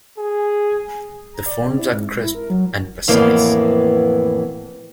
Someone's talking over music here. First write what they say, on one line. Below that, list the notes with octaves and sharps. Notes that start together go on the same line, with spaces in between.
The forms are crisp and precise.
G#4
A#5
D5
C4
E4
G#2
A#6
E4
A#4
F#3
F2 A2 E3 A#3 B3